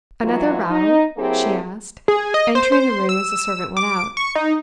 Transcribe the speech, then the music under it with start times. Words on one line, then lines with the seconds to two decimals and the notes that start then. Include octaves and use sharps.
Another row?' she asked, entering the room as the servant went out.
0.22 G#2 E3 F#3 F4
0.69 D#4
1.17 F#3 A#3 C4 E4 G4 G#4
2.08 G#4
2.34 D#5
2.55 C5
2.72 C5
3.09 E6
3.77 D6
4.17 C#6
4.35 D#4